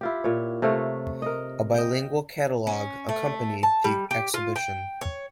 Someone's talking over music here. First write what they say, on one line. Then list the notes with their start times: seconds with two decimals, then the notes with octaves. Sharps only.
A bilingual catalogue accompanied the exhibition.
0.01 E4 F4 G4
0.24 A#2 C#5
0.62 C3 A3 F4 C#5
1.22 A#4 D#5
1.74 D#5 G5
2.67 C#4
3.09 A3
3.63 A5
3.84 G3
4.11 G4
4.34 F4
4.56 G5
5.01 C#5